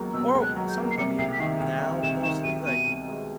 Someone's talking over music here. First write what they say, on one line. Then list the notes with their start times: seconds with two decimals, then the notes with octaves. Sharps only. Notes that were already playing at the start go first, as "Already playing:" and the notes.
Oh! Some I mean, now mostly, like,
Already playing: C#2 B2 F#3 A#3
0.14 B2 E6
0.35 C#2
0.42 F#6
0.56 F#3
0.69 G6
0.77 A#3
0.91 C7
0.98 C3 C#7
1.18 C2 C7
1.33 B6
1.40 D#3 C7
1.60 C2
1.81 C3
2.03 C2 E7
2.23 D#3 E7
2.44 C2 D#7
2.65 B2 D#7
2.87 C2
3.08 G#3